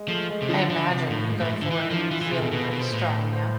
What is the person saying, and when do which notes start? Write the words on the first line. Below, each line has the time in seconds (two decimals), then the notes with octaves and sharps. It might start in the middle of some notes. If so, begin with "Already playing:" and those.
I imagine you go forward feeling pretty strong, yeah?
Already playing: G#3
0.08 F3 A3
0.29 G#3
0.42 C3
0.49 D3 F3
0.70 D3
0.90 C3
1.10 A2
1.30 G#2
1.40 A2
1.50 G#2
1.61 D3
1.70 E3 E4
1.91 F3 D4
2.03 E4
2.11 E3 F4
2.21 E3
2.25 G#4
2.31 C3
2.38 B2 A4
2.52 B2 B4
2.72 B2
2.80 C5
2.92 A2 B4
3.33 C5